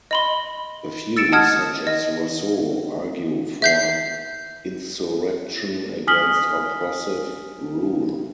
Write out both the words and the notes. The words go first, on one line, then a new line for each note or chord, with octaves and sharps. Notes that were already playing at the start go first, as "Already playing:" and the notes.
A few, such as Rousseau, argue for insurrection against oppressive rule.
D#5 B5 C6
E6 A6 C#7 D7 E7
D#5 F#5 A5 D#6 F6 G#6
D#5
E5 G6 C7
G#5 D#6 F6 B6 F#7 G7